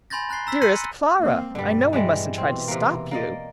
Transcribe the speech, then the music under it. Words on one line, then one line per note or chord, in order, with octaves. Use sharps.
"Dearest Clara--I know we mustn't try to stop you..."
G#5 B5 C6 G6 A6 A#6
A#5 F#6 A6 C7 G7
A#5 E6 B6
C6 E6 F#6 A#6 C#7 D#7
A#3 C4
G2 B2 D3 G3
E3 G3 G#3
B2 E3 C4
C3 A#3
A#3 D5 D#5